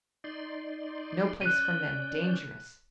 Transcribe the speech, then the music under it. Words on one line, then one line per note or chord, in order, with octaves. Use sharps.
No place for men--dangerous.
D#4 D5 C6
C#4 D5 F#6 G6 D#7